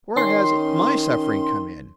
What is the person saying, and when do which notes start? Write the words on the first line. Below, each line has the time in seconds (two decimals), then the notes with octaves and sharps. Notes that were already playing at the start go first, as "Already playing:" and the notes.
Where has my suffering come in?
0.16 D#3 C#4 C6